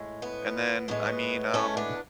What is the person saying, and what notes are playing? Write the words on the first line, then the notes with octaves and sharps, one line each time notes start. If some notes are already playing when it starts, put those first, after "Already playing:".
And then I mean, um.
Already playing: A2 G#3
B3
A2 G#3 B3
A3 C#4
B3 D4